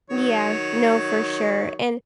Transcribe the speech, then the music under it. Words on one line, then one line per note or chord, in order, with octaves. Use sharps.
Yeah. No, for sure. And
D#3 F#3 C#5